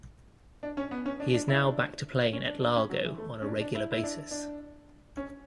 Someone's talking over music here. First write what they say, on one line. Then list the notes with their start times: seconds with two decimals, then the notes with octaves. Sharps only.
He is now back to playing at Largo on a regular basis.
0.63 D4
0.77 C#4
0.91 B3
1.06 C#4
1.20 D4
1.34 D4
1.48 E4
1.61 D4
2.33 C#4
2.47 D4
2.61 D4
2.76 C#4
2.90 F#3
3.04 E3
3.18 A3
3.42 C#4
3.46 D4
3.61 D4
3.75 E4
3.92 E4
4.03 D4
4.31 D4
5.17 C#4